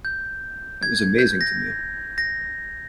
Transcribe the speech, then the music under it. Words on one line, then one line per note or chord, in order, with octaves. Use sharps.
That was amazing to me.
G6
G#6
G6
A#6
A#6